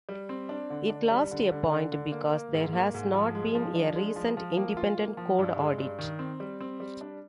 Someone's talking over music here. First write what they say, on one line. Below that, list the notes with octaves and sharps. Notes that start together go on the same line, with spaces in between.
It lost a point because there has not been a recent independent code audit.
G3
C4
D4
D3
D4
G3
D3
D3
D3
D3
A#3
A#3
G#2
A#3
G#2
F3
G#3
F3
D4
G#3
F3
F3
A#3
F4
A#3
F3
G2
G#3
G2
D#3
C4
G3
C4
G3
D4